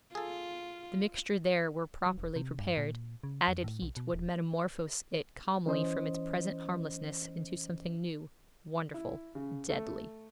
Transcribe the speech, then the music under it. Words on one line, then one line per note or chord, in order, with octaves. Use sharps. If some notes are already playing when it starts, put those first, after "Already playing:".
If the mixture there were properly prepared, added heat would metamorphose it calmly from its present harmlessness into something new, wonderful, deadly.
F4 G#4 A4
F#3
E1
C3
G2
A#2
C#3
F2
A2
B1
B2
D#1
E3 C#4 C5 D#5
E4
C#3
A3